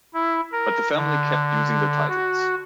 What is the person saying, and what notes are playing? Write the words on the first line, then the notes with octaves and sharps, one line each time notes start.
But the family kept using the titles.
E4
A#4
D3
F#4